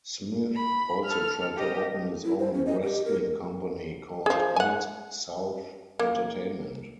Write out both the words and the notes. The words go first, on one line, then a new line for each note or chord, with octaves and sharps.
Smith also tried to open his own wrestling company called Mid South Entertainment.
B5
A4 F6
G4 D#5
E4
C5
C#4
D#5
G4
A#4
F3 G#4
F#5 G#5
A#3